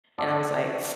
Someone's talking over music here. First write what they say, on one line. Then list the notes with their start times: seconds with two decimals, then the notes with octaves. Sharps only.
and I was, like,
0.18 D5 F#5 A5 C#6 D6 E6